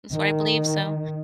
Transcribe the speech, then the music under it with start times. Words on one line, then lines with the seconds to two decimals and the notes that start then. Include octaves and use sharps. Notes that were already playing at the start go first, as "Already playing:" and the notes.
It's what I believe. So
0.12 D#3